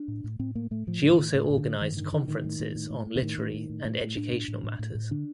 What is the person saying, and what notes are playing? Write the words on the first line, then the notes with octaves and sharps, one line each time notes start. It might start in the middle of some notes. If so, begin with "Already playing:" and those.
She also organised conferences on literary and educational matters.
Already playing: D4
A2
A2
A2 C4
A2 A#3
A2 A3
A2 F3
A2
D#3
A2
A2
A2
D3
A2
G2 D#3
D3 D#3
D3 D#3
A2 D#3
A2
A2
A2
A2
A2
D3
A2 D#3
A2
A2
A2
A2
A2
A2 D4
A2
A2
A2
A2
A2
D3 D4